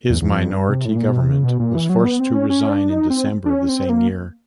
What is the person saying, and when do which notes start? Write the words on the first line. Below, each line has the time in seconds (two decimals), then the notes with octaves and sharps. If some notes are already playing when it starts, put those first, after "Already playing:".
His minority government was forced to resign in December of the same year.
0.10 E2
0.22 E2
0.29 F2
0.50 G2
0.69 C3
0.85 A2
0.96 A#2
1.08 B2
1.19 C3
1.29 C#3
1.44 B2
1.60 A#2
1.75 E3
1.89 F#3
2.04 B3
2.20 C4
2.34 C#4
2.50 C#4
2.69 D4
2.90 D#4
3.10 C4
3.46 D4
3.50 C#4
3.69 C4
3.89 A#3